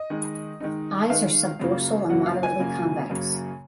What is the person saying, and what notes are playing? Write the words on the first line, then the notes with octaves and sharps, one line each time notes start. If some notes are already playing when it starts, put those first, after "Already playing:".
Eyes are subdorsal and moderately convex.
Already playing: D#5
D#3 G#3 D#4
D#3 G#3 D#4
D#3 G#3 D#4 F5
F#2 C#3 F#3 A#3
F#2 C#3 F#3 A#3 F#5
F5
G#5
F#2 C#3 F#3 A#3
F#2 C#3 F#3 A#3